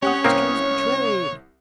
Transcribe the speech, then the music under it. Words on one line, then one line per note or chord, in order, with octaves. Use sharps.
"The Master is betrayed!"
C#4 G4 C#5 F#5 D#6
C2 A#3 C4 D#6 F6